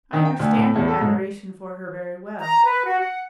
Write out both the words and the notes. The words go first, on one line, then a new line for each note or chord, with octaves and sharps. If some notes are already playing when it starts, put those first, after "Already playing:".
I understand your adoration for her very well.
D#3
G5
D2
A2
E2
A4
G#2
A#5
B4
F#4
F#5